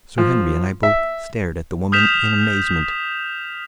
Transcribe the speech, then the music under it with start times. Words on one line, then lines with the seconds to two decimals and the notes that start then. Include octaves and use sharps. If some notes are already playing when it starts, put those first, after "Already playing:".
Sir Henry and I both stared at the woman in amazement.
0.18 F3
0.83 E5
1.92 D#6 F6 G6 B6 E7 F7